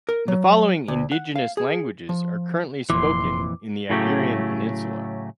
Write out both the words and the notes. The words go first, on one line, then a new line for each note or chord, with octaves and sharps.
The following indigenous languages are currently spoken in the Iberian Peninsula.
A#4
F#3
D2
F#5
F5
G#4
F3
F1 F2 A#2 E3 C6 D6
A2 C#3 F#3 A3 G4